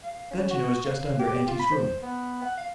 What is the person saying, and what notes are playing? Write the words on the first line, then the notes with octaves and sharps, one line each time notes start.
That you know is just under auntie's room.
F5
C#4
F#4
F5
G4
F4
B5
C5
B3
F#5
F5